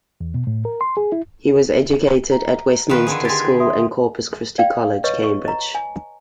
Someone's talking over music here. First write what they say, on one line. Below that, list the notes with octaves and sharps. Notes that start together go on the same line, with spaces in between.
He was educated at Westminster School and Corpus Christi College, Cambridge.
E2
B2
A2
A#4
C6
G#4
E4
A#5
D#3 F3 B4
D3 D#3 G#4
G4 G#4 C6 G#6 A6
E5 C6 D#6
D5 F5 G5
B4 C#5 D#5 C#6
C#6
D#5 A#5
G#5